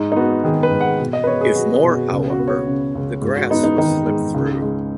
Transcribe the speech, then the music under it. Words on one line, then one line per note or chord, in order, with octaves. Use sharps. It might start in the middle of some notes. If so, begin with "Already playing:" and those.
If more however, the grass will slip through.
Already playing: G#2 D#4
D#4
B3 F#4
D#3 G#4
B4
G#2
F#5
B2
D#5
B4
B3 C#5
G#4
F#3 F#4
G#4
B2
F#4
C#2
F#4
B3
C#5
C#3
C#2
G#2
F#4
B3 D#4
D#4
D#3 D#4
G#2
C#2
G#3